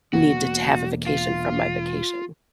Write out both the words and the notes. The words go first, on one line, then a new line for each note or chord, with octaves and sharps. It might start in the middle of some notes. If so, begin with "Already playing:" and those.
need to to have a vacation from my vacation.
E1 A#3 B3 F#4
F4